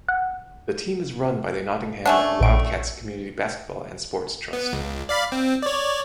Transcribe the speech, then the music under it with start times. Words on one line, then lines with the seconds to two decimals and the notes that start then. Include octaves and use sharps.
The team is run by the Nottingham Wildcats Community Basketball and Sports Trust.
0.08 F#5
2.06 A3 C#4 D4 F#5
2.40 A#1 D7
4.53 B3
4.73 C#2
5.09 D5 F5 B5
5.32 C4
5.62 C#5 D5